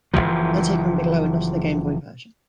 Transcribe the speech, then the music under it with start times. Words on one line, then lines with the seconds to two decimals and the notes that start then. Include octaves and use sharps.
Undertaker and Bigelow are not in the Game Boy version.
0.14 F#1 E2 E3 F3